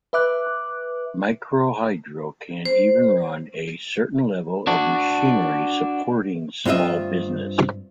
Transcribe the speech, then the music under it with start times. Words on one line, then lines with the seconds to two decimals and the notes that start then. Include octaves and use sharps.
Microhydro can even run a certain level of machinery supporting small businesses.
0.13 B4 E5 D6 F#6
2.65 C5
4.67 D4 F#4
6.66 G2 C4 F4 D#5 E5